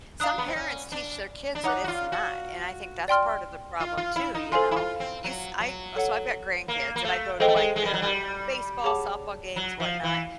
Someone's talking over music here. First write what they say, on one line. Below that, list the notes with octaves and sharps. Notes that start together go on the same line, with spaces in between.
some parents teach their kids that it's not, and I think that's part of the problem, too, you know? You s I so I've got grandkids, and I go to, like, their baseball, softball games, whatnot.
D4 F5 A#5 D#6 F#6
B3
C4
C#4
D4
D4
D#4 C#5 F#5 A#5 D6 F#6
F#4
F4
F#4
D5 G5 C6 F6
F4
F4
E4
D#4
F4 A4 C5 F5 G#5 C6
E4
F4
C4
F#3
F#3
A4 C#5 F#5
A#3
A#3
A3
G#3 A4 C5 D#5 G5
A3
G#3
G#3
G3
F#3
G3
G#4 C#5 F#5 A5 D6
F#3
F3
E3